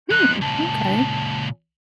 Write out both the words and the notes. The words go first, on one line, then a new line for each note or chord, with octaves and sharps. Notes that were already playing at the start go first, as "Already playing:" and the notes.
Hmm, m'kay.
F3 D#4 F#6
C#2 A#2 A5